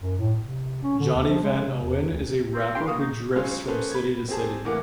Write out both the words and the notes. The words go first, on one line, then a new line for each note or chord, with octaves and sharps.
Johnny Van Owen is a rapper who drifts from city to city.
F#2
A2
C3
C#4
D3
D#2
F3
G#3
C3
E2
D2
C4
D4 G4 G5 C6
A#3 F#4 F5 D#6
D#4
F#3 G#3 C#4 F4 C5
A#3 C#4 G#4 A4 B4 C5
B5 G#6
C4 G4 G#4 A5
D1 D2 E3 A#3 F#5 D6